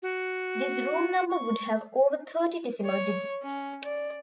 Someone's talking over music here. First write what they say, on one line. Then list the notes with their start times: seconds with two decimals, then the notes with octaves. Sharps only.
This room number would have over thirty decimal digits.
0.02 F#4
1.30 C#6
2.86 C#5
3.43 C#4
3.85 D5